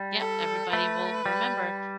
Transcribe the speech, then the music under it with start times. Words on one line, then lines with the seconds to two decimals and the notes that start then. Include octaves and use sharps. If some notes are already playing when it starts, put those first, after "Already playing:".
Yep, everybody will remember
Already playing: G3
0.19 A4
0.72 A3 B4
1.26 G3